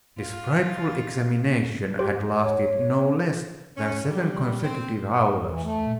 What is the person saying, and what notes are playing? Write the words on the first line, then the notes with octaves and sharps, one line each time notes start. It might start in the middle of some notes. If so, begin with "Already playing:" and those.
This frightful examination had lasted no less than seven consecutive hours.
F4
G4 C5
C#5
C#4
G3
C4
E2 E3
A3
A#2